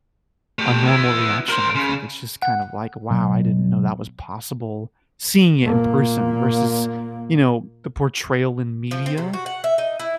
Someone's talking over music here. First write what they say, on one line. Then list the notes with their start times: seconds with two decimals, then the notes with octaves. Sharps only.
a normal reaction, I think. It's just kind of, like, "Wow. I didn't know that was possible," seeing it in person versus, you know, the portrayal in media,
0.59 A3 G4
0.86 B3 E4
1.49 A#4 C5
1.75 C#3
2.42 F#5
3.11 B1
5.63 A#2 A#3
8.91 F3
9.06 C4
9.18 C3
9.33 F#4
9.46 F#5
9.64 E5
9.78 D#4
9.99 E4